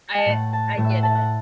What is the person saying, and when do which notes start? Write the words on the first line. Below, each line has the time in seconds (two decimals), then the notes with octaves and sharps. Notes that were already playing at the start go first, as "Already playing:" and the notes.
I I get it.
0.18 A5
0.26 A2 A3 F#5
0.53 A5
0.78 A2 A3
0.84 E5
0.90 F#5
1.03 A5
1.15 F#5